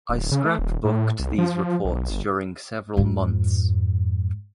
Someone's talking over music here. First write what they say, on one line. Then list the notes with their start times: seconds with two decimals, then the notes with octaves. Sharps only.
I scrapbooked these reports during several months.
0.09 D1
0.32 C#3
0.45 A3
0.59 D#1
0.85 A2
1.20 C2
1.38 F3
1.85 B1
2.10 G1
2.97 F2 G#2